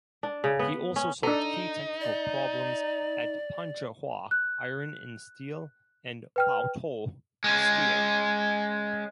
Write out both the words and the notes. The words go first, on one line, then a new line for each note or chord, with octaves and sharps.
He also solved key technical problems at Panzhihua Iron and Steel and Baotou Steel.
D4
C#3
B3
C#4
D4 D#4 A4
D5
F#6
B4 G5 F6
G#3 C#4